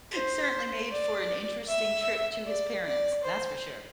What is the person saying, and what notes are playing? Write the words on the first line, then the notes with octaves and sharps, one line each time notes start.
Certainly made for an interesting trip to his parents, that's for sure.
C5
D5
E5
D5
D5
C5